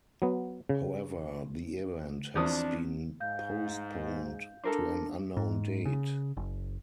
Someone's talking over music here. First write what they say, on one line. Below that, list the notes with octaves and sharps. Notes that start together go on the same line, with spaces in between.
However, the event has been postponed to an unknown date.
F#3 B3
C#3
E2 F3 C4 D4 D#6
G#2 F5 G6
D4 A4 A#4 C5
G#2
C#3
F#1